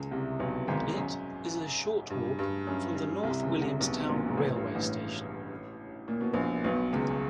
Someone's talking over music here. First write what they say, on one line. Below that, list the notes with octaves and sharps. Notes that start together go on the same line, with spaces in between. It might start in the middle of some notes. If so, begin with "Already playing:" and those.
It is a short walk from the North Williamstown railway station.
Already playing: C#2 C#3
C2 C3
B1 B2
G#1 G#2
F#2
G2
G2
F#2
G2
C2 C3
C#2 C#3
C2 C3
B1 B2
A#1 A#2
G#2
A1 A2
G2
A1 A2
A#2
B2
A#1 A#2
B1 B2
C#2 C#3